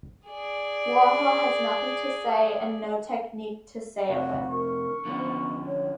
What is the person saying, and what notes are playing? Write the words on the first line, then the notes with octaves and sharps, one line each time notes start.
Warhol has nothing to say and no technique to say it with.
G#4 D5
F2 A2 C3 F#4
A#4 C#6
D3 F3 B3 C#4
C#5